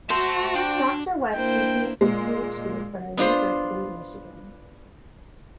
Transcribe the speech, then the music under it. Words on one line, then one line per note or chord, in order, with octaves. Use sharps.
Doctor West received his Ph.D from the University of Michigan.
F#4 C5 E5 A5
D4 G5
A#3 D4 E4 A#4 C5 G5
A#2 G#3
B3 D4 F4 C5